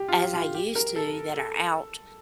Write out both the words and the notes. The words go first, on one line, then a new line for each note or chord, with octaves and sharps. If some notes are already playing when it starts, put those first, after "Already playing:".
as I used to that are out
Already playing: G4
F4
G4
F4
G4
A#4
A4
A4